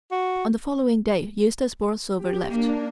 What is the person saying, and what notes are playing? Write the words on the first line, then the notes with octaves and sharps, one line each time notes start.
On the following day Eustace Borlsover left.
F#4
G4
A#3 D4